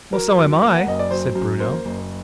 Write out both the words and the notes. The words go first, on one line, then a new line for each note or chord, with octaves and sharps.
"Well, so am I!" said Bruno.
F#3 A#4
F#2
A#3
F#5
F#1 D#5
D5
F#3 C5
F#2
A#3 C5
F#1